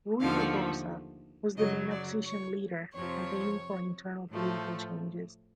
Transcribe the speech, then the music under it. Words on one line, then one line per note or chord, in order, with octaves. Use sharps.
Ruy Barbosa was the main opposition leader, campaigning for internal political changes.
D#2 D3 F3 A3 F5
F#2 C#3 F#3 D#5
D5
C#5
F2 C3 F3 C#5
A2 F3 A3